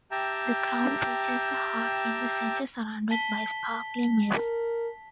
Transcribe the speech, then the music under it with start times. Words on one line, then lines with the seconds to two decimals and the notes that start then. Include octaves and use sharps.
The crown features a heart in the center surrounded by sparkling waves.
0.11 G4 E5 G5 A5 A#5
3.11 A5 B6 G7
4.36 A#4